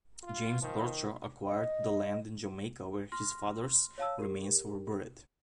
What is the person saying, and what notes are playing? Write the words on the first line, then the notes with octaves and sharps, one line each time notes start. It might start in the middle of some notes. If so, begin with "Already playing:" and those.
James Bradshaw acquired the land in Jamaica where his father's remains were buried.
F4
D#3 F3
D#5
C6 F6 A#6
C#5 F5 A5 E6
G4 A#4